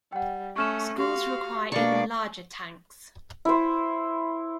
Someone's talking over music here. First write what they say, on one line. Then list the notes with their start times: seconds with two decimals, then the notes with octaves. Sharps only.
Schools require even larger tanks.
0.12 G3 F#5 G5
0.56 A3 C#4 C#6 F6 E7
0.98 F#4 G4 F5 C6
1.72 B2 A#3 D4 D5 C#6
3.45 E4 C5